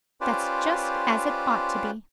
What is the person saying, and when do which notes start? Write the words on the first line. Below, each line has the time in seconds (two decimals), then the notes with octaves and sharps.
That's just as it ought to be.
0.21 C#4 F4 G4 B4 C5 D5